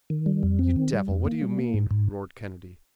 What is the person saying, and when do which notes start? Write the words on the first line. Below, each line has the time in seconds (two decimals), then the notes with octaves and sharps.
"You devil, what do you mean?" roared Kennedy.
0.10 D#3
0.26 G3
0.43 F2
0.59 C4
0.76 D#3
0.92 G3
1.08 F2
1.25 A#3
1.41 G3
1.58 A#3
1.74 G#2
1.91 G#2